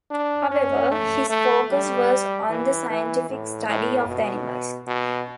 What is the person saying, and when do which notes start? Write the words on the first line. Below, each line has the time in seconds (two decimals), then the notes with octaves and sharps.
However, his focus was on the scientific study of the animals.
0.11 D4
0.51 C#4
0.91 A3
1.30 A3
1.71 G3
2.50 E3
2.90 E3
3.29 A2
3.69 A2
4.09 B2
4.87 B2